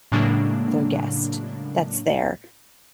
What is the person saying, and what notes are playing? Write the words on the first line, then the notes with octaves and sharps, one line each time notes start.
other guest that's there
A2 C#3 F#3 G#3 A#3 D4